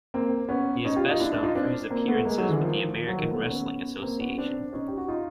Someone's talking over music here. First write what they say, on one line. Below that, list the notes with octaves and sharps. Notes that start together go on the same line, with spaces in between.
He is best known for his appearances with the American Wrestling Association.
A#3 C4
B3 C#4
C#4 D#4
F4 G4
D#4 F4
D4 E4
D4 E4
D#4 F4
C4 D4
A#3 C4
A3 B3
G#3 A#3
F#3 G#3
D3 E3
D#3 F3
F3
F#3
D#3 F3
A3 B3
B3 C#4
A#3 C4
B3 C#4
C4 D4
C#4 D#4
G4
F#4
D#4 F4